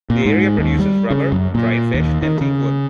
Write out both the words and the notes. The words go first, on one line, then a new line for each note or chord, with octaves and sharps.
The area produces rubber, dried fish, and teakwood.
A#2
G#2
D#2
G3
C#3
F#2
A#2
D#2
D#3
C#3